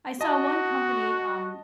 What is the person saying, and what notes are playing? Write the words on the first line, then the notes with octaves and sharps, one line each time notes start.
I saw one company, um,
F#4 D#5 A5